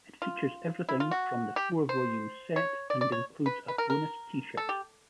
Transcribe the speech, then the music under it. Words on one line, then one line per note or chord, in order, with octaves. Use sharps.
It features everything from the four-volume set and includes a bonus T-shirt.
F4
E4
F4
F#4
G4
C5
C#5
D5
D5
C#5
B4
B4
A#4
A#4
A4
G4